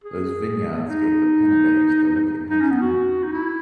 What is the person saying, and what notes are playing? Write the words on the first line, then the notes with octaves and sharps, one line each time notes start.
Those vineyards gave the Penedès the look it has now.
G#4
D#4
D#4
C#4
B3
F#4
D#4
E4